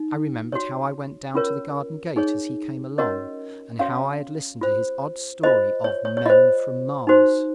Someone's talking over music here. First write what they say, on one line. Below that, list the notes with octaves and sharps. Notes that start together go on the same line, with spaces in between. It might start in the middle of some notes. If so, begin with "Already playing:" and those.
I remembered how I went down to the garden gate as he came along, and how I had listened to his odd story of "Men from Mars."
Already playing: D#4
F#4 C#5
C#4 F4 A#4 C#5
D#4 G#4 C#5
C#4 F#4 A#4 C#5 D#5
C#4 F#4 C#5 F5
F4 C5
F4 C5 D#5
C#5
C#5
C#5
F4 C5 D#5
D#4 F#4 C5